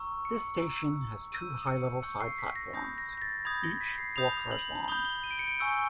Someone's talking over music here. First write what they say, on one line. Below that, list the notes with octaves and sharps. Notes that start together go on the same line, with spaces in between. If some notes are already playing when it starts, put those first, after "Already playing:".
This station has two high-level side platforms, each four cars long.
Already playing: A#5 C#6 E6
C#7
A#5 C#6 E6
C#6 E6 G6 D#7
C#7
C#6 E6 G6 C#7
C7
B6
A#6
B5 D#6 G6 A#6
A#6
A#6
A6
B5 D#6 G6 G#6
A#6
B6
C7
B5 D#6 G6 F7
F#7
B5 D#6 G6 G7
G7
D#7
D7
C#7
D7
G#5 C#6 E6 G6 C#7